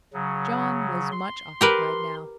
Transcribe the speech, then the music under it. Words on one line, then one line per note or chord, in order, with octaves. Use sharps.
John was much occupied now.
C#3 F#3
C6
G4 A#4 B4